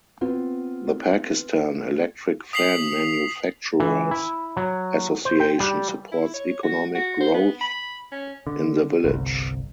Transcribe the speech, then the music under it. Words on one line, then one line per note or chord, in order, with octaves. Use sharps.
The Pakistan Electric Fan Manufacturers Association supports economic growth in the village.
B3 C4 F4
D#6 B6 C7 F7 F#7
E3
E4
F#3
C5
G5
G3
E4
C#5
F#4
F#4
C5
B3
B5
C#4
D3
G1 C2